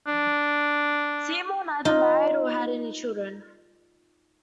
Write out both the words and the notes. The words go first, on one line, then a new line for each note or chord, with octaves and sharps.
Seymour neither married or had any children.
D4
D#4 F4